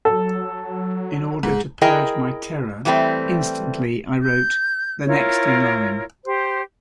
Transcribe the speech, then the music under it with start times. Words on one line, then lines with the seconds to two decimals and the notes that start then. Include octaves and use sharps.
In order to purge my terror, instantly, I wrote 'The Next in Line.
0.05 F#3 A4
1.43 D#1 G#2
1.81 E4 G#4 A#4 D#5 G5
2.85 E3 G3 A3 A#3 C4
4.22 G6
5.06 E4 F4 A#4 C#5
6.25 G4 C5